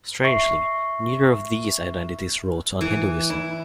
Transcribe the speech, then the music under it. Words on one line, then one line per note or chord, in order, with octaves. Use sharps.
Strangely, neither of these identities wrote on Hinduism.
E5 C#6 C7
E3
E4